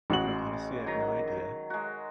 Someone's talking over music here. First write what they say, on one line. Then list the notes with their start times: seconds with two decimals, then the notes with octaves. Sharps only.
You know, honestly, I have no idea.
0.10 A1 G#3 F#4 F#7
0.86 D#3 F#3 A#5
1.70 G#3 F#4